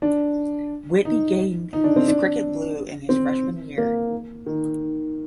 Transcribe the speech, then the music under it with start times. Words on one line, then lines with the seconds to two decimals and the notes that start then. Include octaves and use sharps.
Whitby gained his cricket blue in his freshman year.
0.02 D4
1.05 D#4
1.73 D#4
1.84 D4
1.96 C4
2.08 D4
3.09 C4
3.78 A#3
4.46 D#3